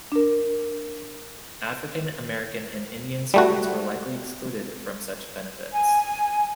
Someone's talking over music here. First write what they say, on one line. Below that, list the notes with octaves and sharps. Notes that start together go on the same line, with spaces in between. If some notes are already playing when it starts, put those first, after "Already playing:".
African-American and Indian servants were likely excluded from such benefits.
D4 A#4
G3 A3 F#4
G#5